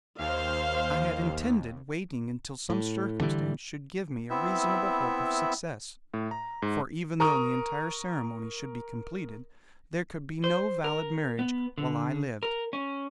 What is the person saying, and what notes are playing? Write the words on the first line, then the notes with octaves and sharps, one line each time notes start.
I had intended waiting until some circumstance should give me a reasonable hope of success; for, even though the entire ceremony should be completed, there could be no valid marriage while I lived.
D#2 C5 F5
A2
D3 E3 G3
B3 C4 E4 E5
A2
A#5
G#2
A#4 A#5 C#6 D#6
C5
A#4
B3
D3
A#4
C#4